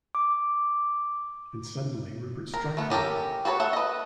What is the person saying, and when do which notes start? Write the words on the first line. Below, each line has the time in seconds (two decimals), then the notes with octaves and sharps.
And suddenly Rupert struck them.
0.15 D6
2.54 A#4
2.77 A3 B3
2.90 C#4 G4 A4 A#4
3.45 F#4 G#4 A4 B4 C#5
3.60 A4 E5 F#5
3.73 B4 D#5